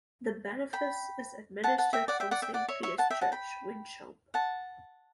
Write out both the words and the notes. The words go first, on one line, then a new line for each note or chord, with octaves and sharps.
The benefice is administered from Saint Peter's church, Winchcombe.
G5 B5
F#5 A5
F#5 A5
E5 G5
D5 F#5
E5 G5
D5 F#5
E5 G5
D5 F#5
C#5 E5
C#5 E5
F#5 A5
E5 G5
F#5 A5
G5 B5
F#5 A5